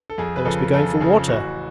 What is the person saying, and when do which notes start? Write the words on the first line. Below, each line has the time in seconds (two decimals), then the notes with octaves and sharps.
'They must be going for water.'
0.10 A4
0.18 F2 G#4
0.36 B4
0.45 C#3 F3 A4
0.73 F2 A4
1.00 C#3 F3 G#4
1.28 A1 F#4